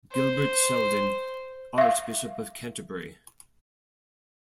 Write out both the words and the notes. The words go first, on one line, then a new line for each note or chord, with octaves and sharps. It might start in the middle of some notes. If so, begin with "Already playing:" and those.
Gilbert Sheldon, Archbishop of Canterbury.
C5
E5 F5